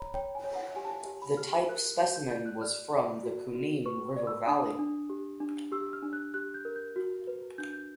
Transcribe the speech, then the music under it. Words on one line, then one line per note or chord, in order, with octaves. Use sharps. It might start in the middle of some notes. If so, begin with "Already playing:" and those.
The type specimen was from the Kunene River valley.
Already playing: C#5 A#5 B5
C#5 G5
G#5
C#5
F#5
G4 G#5
A5
G#5
G4
B5
G4 F6
A#4 F#6
F#4 G6
G6
D5 G6
F#6
D5 F6
D5
F#4
F#4
B4 C#6
D5
E6
D4 D#6
D4
G4
D4
G4 E6
F6
D4
F#6
G4 F#6
G6
A#4
G6
F#4
B4
D4 G6
G6